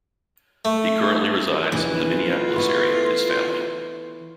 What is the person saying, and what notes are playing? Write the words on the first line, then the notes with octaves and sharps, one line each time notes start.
He currently resides in the Minneapolis area with his family.
A3
A#1 E2 E3
F4
A3 B3 E4 C6 C#6